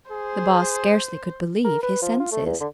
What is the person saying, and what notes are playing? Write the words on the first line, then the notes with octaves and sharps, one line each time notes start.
The Boss scarcely could believe his senses.
G#4 C5
A#4
B4
F3
F4
A3
E2
D3